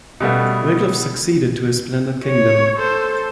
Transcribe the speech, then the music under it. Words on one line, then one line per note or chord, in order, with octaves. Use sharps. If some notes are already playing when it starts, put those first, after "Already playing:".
Wiglaf succeeded to his splendid kingdom.
B2 G3 A3 B3
C#5
A4 C5